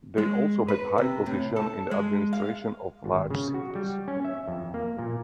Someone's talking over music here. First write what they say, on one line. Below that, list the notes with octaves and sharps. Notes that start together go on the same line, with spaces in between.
They also had high positions in the administration of large cities.
G#3
B4
C3
A2
A4
G#3
F5
G#1
C#3
F#4
G3
C#4
E5
F2
A#3
A#2